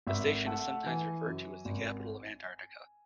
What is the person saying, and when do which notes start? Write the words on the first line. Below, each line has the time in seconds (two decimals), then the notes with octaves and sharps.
The station is sometimes referred to as the capital of Antarctica.
0.07 G#1 E5
0.46 A3 F#5
0.86 E3 G#5
1.26 F#2
1.65 G#1